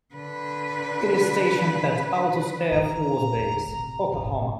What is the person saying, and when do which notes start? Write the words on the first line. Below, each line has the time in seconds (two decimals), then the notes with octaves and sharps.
It is stationed at Altus Air Force Base, Oklahoma.
0.15 D3 B4
2.72 G2 D#3 A#5
3.36 E2 D3
3.68 A2 C3
4.12 D#1 G#1